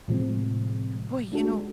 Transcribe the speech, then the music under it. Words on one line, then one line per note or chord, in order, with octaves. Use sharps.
Boy, you know
A2 C3 F3 G#3 C4
G#3 D4 F#4 A4